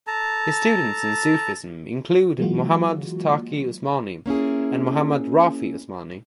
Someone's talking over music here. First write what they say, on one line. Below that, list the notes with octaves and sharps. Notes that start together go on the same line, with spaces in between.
His students in Sufism include Muhammad Taqi Usmani and Muhammad Rafi Usmani.
A4 A5 A#5
E3 F#3 G#3 A#3 F4 F#4
A#3 C#4 E4 G#4